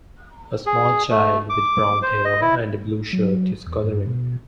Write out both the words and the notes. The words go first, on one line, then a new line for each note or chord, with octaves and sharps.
A small child with brown hair and a blue shirt is coloring.
G#4
A3
D6
C5
D#5
E4
F#3
E2
G2
B2